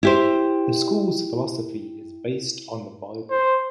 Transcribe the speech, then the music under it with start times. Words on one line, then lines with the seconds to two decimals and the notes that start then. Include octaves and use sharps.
The school's philosophy is based on the Bible.
0.03 E4 G4 C5
3.30 C5